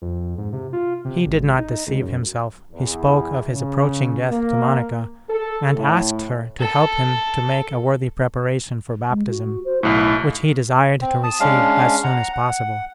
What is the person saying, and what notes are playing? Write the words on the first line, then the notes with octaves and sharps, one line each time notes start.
He did not deceive himself. He spoke of his approaching death to Monica, and asked her to help him to make a worthy preparation for Baptism, which he desired to receive as soon as possible.
F2
G#2
C3
F4
C3
G#1
D#4
C#2
F#2
E2
C#3
A#3
A4
A2
A4
G#3
F#4
C5
B1 A2 E4
C4
A5 D#6
G#3 C#4 D4 F5
F#5 A#5
F#5